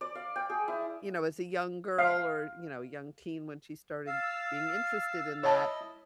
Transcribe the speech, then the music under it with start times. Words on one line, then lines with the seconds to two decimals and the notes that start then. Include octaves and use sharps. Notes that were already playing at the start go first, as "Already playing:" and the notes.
you know, as a young girl, or, you know, a young teen, when she started being interested in that,
0.01 D5
0.15 F5
0.36 G5
0.50 G#4
0.68 E4
1.98 F5
4.07 F5 E6 F6 A6
5.43 E4 C#5 D#5 A5